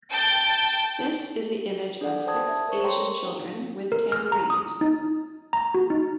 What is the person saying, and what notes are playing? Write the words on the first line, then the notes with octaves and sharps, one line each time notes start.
This is the image of six Asian children with tambourines.
G5 A5 G6
D4 G#4 A4 D5 F#5
C5 D5 G5 A5 D#6 G#6
E5
A#4 C5 C#6 C#7
A4 C#5 G5 A#5 C6 C#6
A#4
F6
A#5
D#6
D#4
A#5
F#4
D#4